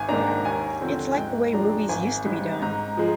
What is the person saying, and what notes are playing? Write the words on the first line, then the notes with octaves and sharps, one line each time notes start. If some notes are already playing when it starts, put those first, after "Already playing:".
It's like the way movies used to be done.
Already playing: G#1 G#5
G#2 D#3 A#3 D4 A#5
A#5
D#2 G#5
D3 F3 C4
G#2 G5
F3 G#3 D4 A#5
G#1 G#5
G#2 G3
G#2 A#5
F3 G#3